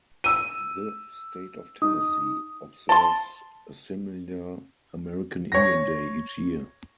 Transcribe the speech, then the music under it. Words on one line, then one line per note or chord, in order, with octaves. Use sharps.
The state of Tennessee observes a similar American Indian Day each year.
E6 D#7
D#4 D#6
A5 C6
C#5 A#6